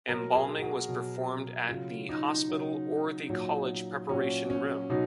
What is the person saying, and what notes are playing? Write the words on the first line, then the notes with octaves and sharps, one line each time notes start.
Embalming was performed at the hospital or the college preparation room.
B2 F#3 A#4
G#4
G#4
F#4
B2 F#3
C#3 F#3 F4
D#4
C#3 F#3
A#2 F#3
A#2 F#3 C#4
C#4
B2 F#3 D#4